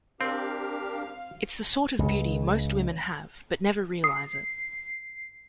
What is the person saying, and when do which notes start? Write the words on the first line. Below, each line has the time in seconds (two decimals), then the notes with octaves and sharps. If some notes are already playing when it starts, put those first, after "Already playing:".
It's the sort of beauty most women have, but never realize it.
0.21 C4 D4 G4 A#4 F5
1.99 C#2
4.04 D#6 C7